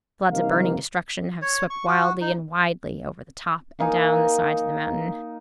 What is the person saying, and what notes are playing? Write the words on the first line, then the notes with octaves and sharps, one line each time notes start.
Floods of burning destruction have swept wildly and widely over the top and down the sides of the mountain.
C2 D#3 A#3 F5
C#5
C#6
F#4
D#4
A#3 D#4 G#5